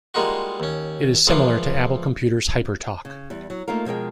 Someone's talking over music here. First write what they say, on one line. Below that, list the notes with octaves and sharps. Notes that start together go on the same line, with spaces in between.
It is similar to Apple Computer's HyperTalk.
G3 G#3 A#3 D#4 F4 F#4
D#2 C#4
C#2 E3 F3 A#3 D4 D6
C#3
E2 G3
F#3
A3 A#3 D#4 F4 A#4
B2 F3 G#3 A#4 G5